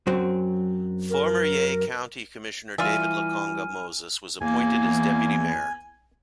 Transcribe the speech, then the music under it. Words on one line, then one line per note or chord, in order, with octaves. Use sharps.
Former Yei County Commissioner David Lokonga Moses was appointed as deputy mayor.
F#2 F#3 C4
A#4
E3 G3 F4 D5 E5 G#5 F6 D#7
E2 A#3 G#5